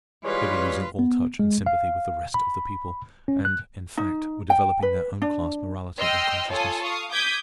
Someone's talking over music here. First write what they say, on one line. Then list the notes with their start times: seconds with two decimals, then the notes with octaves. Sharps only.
They were losing all touch and sympathy with the rest of the people, and, in fact, were developing their own class morality and consciousness.
0.25 E3 G3 G#3 F4 B4 C#5 C6
0.99 B3
1.39 G#3
1.66 F5
2.34 B5
3.28 C#4
3.45 F#6
3.97 D#4
4.50 G5
4.83 B4
5.22 D4
5.99 D#5 G5 C6 E6 F6
6.50 F4 A4 C#5 G#5 D#6
6.82 F5 C#6 D#6
7.11 D6 D#6 G6 G#6 B6